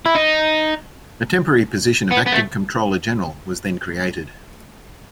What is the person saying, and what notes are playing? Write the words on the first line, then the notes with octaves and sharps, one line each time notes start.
A temporary position of Acting Comptroller General was then created.
E4
D#4
B3
B3
A3